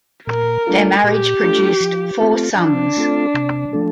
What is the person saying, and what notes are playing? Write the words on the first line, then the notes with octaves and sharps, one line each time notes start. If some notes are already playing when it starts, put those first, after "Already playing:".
Their marriage produced four sons.
A#2 A#4
A3 D4 F4 A4
A#2 G4
A3 D4 F4 A4
F3
A3 C4 F4 A4
F3 D4
A3 C4 F4 A4
C3
F3 A3 D4 A4